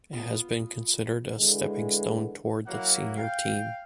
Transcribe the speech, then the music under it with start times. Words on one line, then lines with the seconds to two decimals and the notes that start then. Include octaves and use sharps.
It has been considered a stepping stone toward the senior team.
0.13 B3 F4
1.39 D3 E3 G#3
2.67 F#3 A#3 E4 F#5
3.17 F5 G5